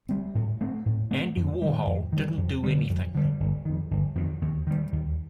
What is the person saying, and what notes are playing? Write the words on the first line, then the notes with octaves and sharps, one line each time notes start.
Andy Warhol didn't do anything.
G3 C4
A2
A3 C4
A2
A3 C4
F2
D#3 G3
F2
D#3 G3
F2
D3 G3
F2
D3 G3
G1
F2 D#3
G1
F2 D#3
D#2
D#3 G3
D#2